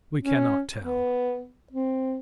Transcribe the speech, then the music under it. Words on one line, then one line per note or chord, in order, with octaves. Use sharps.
We cannot tell.
C#4
B3
C4